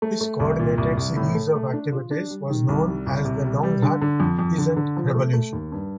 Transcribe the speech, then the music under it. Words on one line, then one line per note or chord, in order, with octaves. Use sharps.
This coordinated series of activities was known as the Donghak Peasant Revolution.
A3
A3
C2
A#2
C2
C2
A2
A3
A3
D4
F4
D4
G3
D#3
C2
G3
C2
C3
G3
G3
D3
D3
F2
F2
D3
D3
F3
A3
A3
D#2
G2